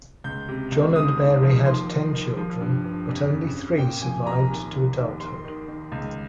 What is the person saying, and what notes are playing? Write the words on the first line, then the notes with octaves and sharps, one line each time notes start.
John and Mary had ten children, but only three survived to adulthood.
C#2 G6
C3
C#2
D#2 D#6
D#2
F3
D#2 C6
D#3
D#3
F3
G2
G2
F2
C#3
F2
A#2 G5
F3 G#5
C2 A#5
D#2
D#2
D#2
D#3 C6
D#3
D#3
C#2